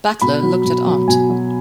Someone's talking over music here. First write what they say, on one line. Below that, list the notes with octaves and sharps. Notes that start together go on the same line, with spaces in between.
Butler looked at aunt.
B2 B5
F#3
B2
F#3
B2 G#5
F#3